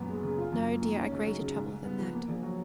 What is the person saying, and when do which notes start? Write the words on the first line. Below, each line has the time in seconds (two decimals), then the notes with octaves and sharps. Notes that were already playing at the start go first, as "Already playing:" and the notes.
'No, dear; a greater trouble than that.
Already playing: F#2 A#2 B3
0.09 G#3
0.23 C#3
0.38 F4
0.52 F#2
0.67 A#3
0.82 D#3
0.96 C#4
1.11 C#2
1.26 F#3
1.40 C#3
1.55 G#2
1.70 G#2
1.85 B3
1.99 F3
2.13 A#3
2.28 A#1
2.42 F#3